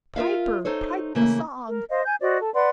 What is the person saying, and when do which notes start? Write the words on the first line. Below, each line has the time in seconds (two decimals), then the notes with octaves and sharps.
Piper, pipe the song!
0.16 F4 A#4 E5 F5
0.65 D#4 A4 C5 C#5
1.15 C#3 E3 A3 A#3
1.69 A#4
1.90 C5 D#5 F5
2.05 G#5 G6
2.21 F#4 C5 D5 D#5
2.40 A4
2.54 B4 D5 F#5 C6